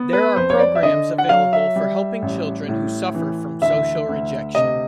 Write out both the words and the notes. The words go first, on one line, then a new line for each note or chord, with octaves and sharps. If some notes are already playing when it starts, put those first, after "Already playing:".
There are programs available for helping children who suffer from social rejection.
Already playing: B3
B4
F2 C5
C#5
D5
E5
D3 D#5
F#5
F#3 F5
E5
G3
A1
A2
E3
D2 E5
D2
C3 D#5